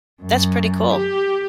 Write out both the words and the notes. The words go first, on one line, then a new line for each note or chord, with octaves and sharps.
That's pretty cool.
F#2
G4